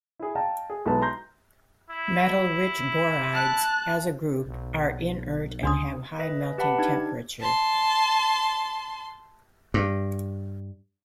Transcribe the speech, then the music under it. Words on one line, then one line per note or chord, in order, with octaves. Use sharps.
Metal-rich borides, as a group, are inert and have high melting temperature.
E4 G#4
D#5 F5 G5 A5 A#5
G#4
B1 G#3 E4 B4 A5
A#5 C6 G6 A#6
E4
A5 F#6
B1
D2 D4 C6 D#6
B4 D#5 E5
G4 B4 E5 F#5 A5 B5
D4 D#4 G4 G#6
A5 C6
G2